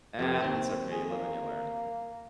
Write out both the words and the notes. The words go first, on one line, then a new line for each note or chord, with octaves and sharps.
Ah, it's okay, you live and you learn.
F2 C3 B3 G4
D#2 C3 C4
G#4
A#3